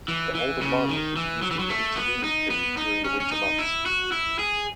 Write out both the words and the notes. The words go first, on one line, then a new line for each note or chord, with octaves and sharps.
The old alignment was used in the intervening period during the winter months.
E3
E3
C#3
D#3
E3
F#3
E3
F#3
A3
B3
D#4
B3
D#4
C#4
C#4
D#4
E4
F#4
E4
G#4